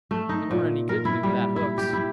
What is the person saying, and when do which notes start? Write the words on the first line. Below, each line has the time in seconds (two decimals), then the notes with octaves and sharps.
It warn't any good to me without hooks.
0.11 A3
0.29 D#4
0.51 A#2
0.89 A#4
1.05 E4
1.23 G3
1.56 E4
1.78 G4
1.93 E4